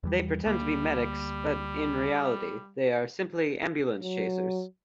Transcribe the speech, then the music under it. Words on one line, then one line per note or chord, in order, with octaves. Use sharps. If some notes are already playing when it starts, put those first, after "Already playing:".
They pretend to be medics, but in reality they are simply ambulance chasers.
E2 E3 G3
D2 G3 A#3
F#3